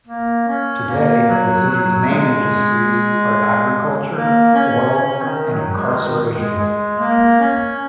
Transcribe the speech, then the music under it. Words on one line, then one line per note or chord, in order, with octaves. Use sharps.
Today, the city's main industries are agriculture, oil and incarceration.
A#3
C#4
A#3
F#3
F#3
A#3
G#3
A#3
C#4
C#4
D#3
F#3
G#3
D#3
G#3
G#3
A#3
C#4